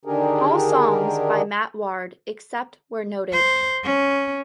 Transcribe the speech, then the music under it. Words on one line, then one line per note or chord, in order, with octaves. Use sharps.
All songs by Matt Ward except where noted.
D3 D#3 D4 G4 G#4 A#4
C5
C#4